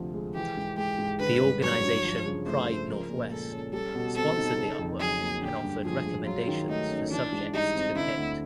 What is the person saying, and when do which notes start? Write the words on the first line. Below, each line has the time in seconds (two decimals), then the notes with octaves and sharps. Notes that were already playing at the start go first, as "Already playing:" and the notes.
The organization Pride Northwest sponsored the artwork and offered recommendations for subjects to depict.
Already playing: D2 C3 F3
0.14 G#3
0.35 E3 G4
0.57 G#2
0.77 G#3 G4
0.98 G#2
1.19 D3 B4
1.41 G2
1.62 F#3 C#5
1.83 G2
2.05 F3
2.25 C#3
2.46 A3 C5
2.68 C#3
2.89 F3 A#4
3.10 A#2
3.31 G#3 A4
3.52 C#4
3.73 G3 A4
3.95 B2
4.15 C4 A4
4.37 D#4
4.58 C#3
4.79 F2
5.00 F#3 G#4
5.21 A#3
5.42 D3 G4
5.63 G2
5.84 F3 G#4
6.06 G#3
6.26 F#3 F4
6.48 D#3
6.69 A3 D#4
6.90 C#4
7.11 E3 D4
7.32 G#2
7.53 G3 D#4
7.75 C4
7.95 D3 E4
8.17 D2